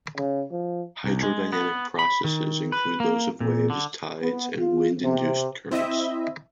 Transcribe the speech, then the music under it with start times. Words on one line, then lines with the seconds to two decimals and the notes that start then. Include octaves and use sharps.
Hydrodynamic processes include those of waves, tides and wind-induced currents.
0.17 C#3
0.51 F3
1.04 C2
1.23 G#3
1.52 B3
1.99 B5
2.24 D#3
2.72 B4
3.00 A#3
3.41 A#2
3.70 D3
4.22 B3
4.58 F4
5.03 C3
5.71 C4 E4 D#5 E5